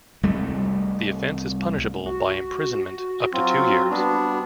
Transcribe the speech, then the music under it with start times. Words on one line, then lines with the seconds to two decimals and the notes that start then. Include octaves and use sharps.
The offense is punishable by imprisonment up to two years.
0.23 C2 G3 A3
2.06 F#4
3.33 F#3 C4 F4
3.91 G3 B3 D4